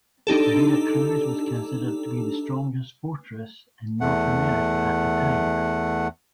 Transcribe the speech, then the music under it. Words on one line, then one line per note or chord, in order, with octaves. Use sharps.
Veracruz was considered to be the strongest fortress in North America at the time.
D4 D#4 G4 A4
E2 A3 F#5